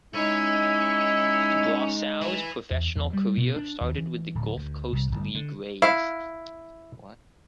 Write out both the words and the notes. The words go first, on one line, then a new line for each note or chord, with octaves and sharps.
Brosseau’s professional career started with the Gulf Coast League Rays.
G#3 C#4 D#4 E4
E3
E2
E2
G3
B2
D4
D#2
E3
D1
D2
C2
G1
D3
E4 F5